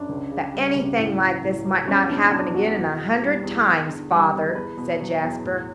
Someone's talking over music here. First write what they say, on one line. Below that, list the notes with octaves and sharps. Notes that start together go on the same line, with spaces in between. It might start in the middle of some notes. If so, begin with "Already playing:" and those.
"But anything like this might not happen again in a hundred times, father," said Jasper.
Already playing: F#2 D4
C#2
C#3
G3
C#2
A2
F#3
A2
F#3
E2 C#4
B2 D4
F#3 D4
E2 F#4
E2 F#4
B2
G3
E2
E2
D3
G3
E2
E2 B4
B2
F#3
E2
A2